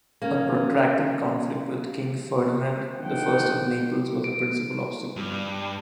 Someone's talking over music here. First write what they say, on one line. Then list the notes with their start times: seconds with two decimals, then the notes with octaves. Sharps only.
A protracted conflict with King Ferdinand the First of Naples was the principal obstacle.
0.22 A#3 C#4
2.98 D#2 D3 D#3 F3 F#5 G5
4.24 D7
5.16 G2